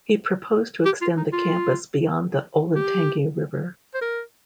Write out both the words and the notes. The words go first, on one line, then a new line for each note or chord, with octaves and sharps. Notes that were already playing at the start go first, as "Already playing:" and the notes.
He proposed to extend the campus beyond the Olentangy River.
G4
F4
D#4
F4
G4
C5
A#4